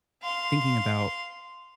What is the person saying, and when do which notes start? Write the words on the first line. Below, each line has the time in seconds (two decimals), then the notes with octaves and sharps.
thinking about
0.23 F5 C6